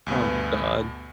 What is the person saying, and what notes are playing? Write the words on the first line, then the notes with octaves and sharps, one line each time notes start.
Oh, my god.
D2 G2 B2 B3